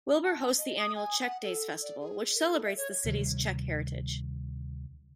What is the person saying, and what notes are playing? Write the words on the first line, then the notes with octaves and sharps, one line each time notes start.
Wilber hosts the annual Czech Days festival which celebrates the city's Czech heritage.
A5
D#5
D#6
G#5
F#5
A4
D5
G#4
A#4
A4
E5
C#5
D2 C3 D#3 G3